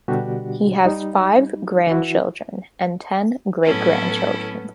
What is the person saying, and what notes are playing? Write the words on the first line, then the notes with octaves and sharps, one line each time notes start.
He has five grandchildren and ten great-grandchildren.
B2 D3 G3 D4 F#4 G4
G3 D#4
E3 E4 F#4
A2 F#3 B3 C#4 E4 A4